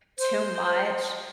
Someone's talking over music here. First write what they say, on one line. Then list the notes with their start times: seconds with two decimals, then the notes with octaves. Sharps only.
too much
0.19 C5